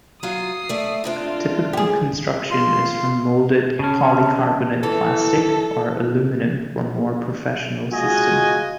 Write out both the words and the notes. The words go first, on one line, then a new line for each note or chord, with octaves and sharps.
Typical construction is from moulded polycarbonate plastic, or aluminum for more professional systems.
F#3 F4 D#6 C7
A3 D5
C3 C4 D4 F4
G4 G#4
F4 C6
C#3 C#4 A5
E3 A4
G#3 F4 F#4 D#5 G#5